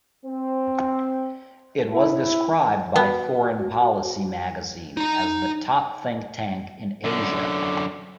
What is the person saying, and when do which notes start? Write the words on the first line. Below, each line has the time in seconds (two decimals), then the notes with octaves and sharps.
It was described by "Foreign Policy" magazine as the top think tank in Asia.
0.24 C4
1.91 E4
2.96 B3 F#4
4.97 D#4 A#5
7.04 F#2 D3